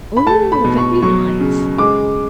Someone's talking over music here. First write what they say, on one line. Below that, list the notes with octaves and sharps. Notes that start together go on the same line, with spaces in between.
Oh! very nice!'
B5
A3 A5
B5
B2
C#6
F#3 C#6
C#3
G#3 D6